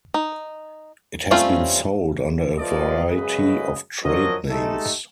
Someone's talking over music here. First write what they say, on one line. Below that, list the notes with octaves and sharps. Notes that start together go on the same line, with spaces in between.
It has been sold under a variety of trade names.
D#4
G3 A3 C4 C#4 F4
F3 A3 F4 B4 D5 D#5
F#2 C#3 G#3 G#4 B4 D#5
F3 F#3 D4 A#4 D#5
G#3 A3 D#4 G4 A4